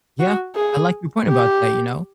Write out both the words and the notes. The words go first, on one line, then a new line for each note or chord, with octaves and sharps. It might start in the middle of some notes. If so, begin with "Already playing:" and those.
Yeah, I like your point about that, you know?
F#4
G#4
G4